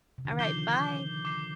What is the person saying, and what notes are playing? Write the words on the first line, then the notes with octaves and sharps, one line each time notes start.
Alright, bye.
C3
D3
D#3
F3 D6 G6 C7 G7
D6 G6 C7 G7